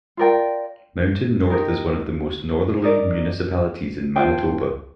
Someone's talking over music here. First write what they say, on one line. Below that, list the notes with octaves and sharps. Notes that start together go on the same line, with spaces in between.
Mountain North is one of the most northerly municipalities in Manitoba.
F4 A#4 D5 G5
D#4 G4 A#4
D#4 A#4 D5
F4 A4 C5 G5